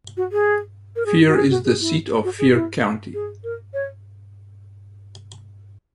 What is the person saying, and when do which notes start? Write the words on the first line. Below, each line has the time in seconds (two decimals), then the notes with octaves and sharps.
Fier is the seat of Fier County.
0.17 F#4
0.32 G#4
0.96 A#4
1.06 G#4
1.28 F#4
1.35 G#4
1.50 F#4
1.65 G#4
1.81 E4
2.24 F#4
2.39 G#4
2.54 E4
3.14 G#4
3.44 A#4
3.74 C#5